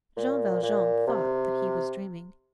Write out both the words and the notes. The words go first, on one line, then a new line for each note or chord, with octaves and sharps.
Jean Valjean thought that he was dreaming.
A#2
A#2
C3